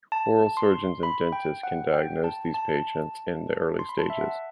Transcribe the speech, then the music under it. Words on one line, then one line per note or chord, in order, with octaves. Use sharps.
Oral surgeons and dentists can diagnose these patients in the early stages.
A5
C6
B5
G5
F#5
G5
A5
A5
C6
B5
A5
E5
F#5